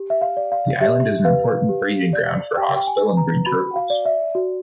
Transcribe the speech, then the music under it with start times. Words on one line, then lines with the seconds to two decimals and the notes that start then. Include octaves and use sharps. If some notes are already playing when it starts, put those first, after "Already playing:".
The island is an important breeding ground for hawksbill and green turtles.
Already playing: G4
0.10 E5
0.21 F5
0.37 D5
0.52 F5
0.81 G4 E5
1.25 B4 F5
1.69 G4
2.13 D5
2.57 G4 G5
2.76 G5
2.87 G#5
3.02 B4
3.17 A#5
3.46 F#4 B5
3.76 F5
3.90 D5
4.05 E5
4.35 F#4